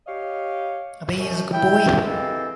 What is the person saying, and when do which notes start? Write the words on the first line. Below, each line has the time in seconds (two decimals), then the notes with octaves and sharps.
Abhay is a good boy.
0.07 G4 C#5 D#5 F5
1.17 F#2 B2
1.53 E4 G5
2.06 E3 G#3 A#3 C4 G4 A4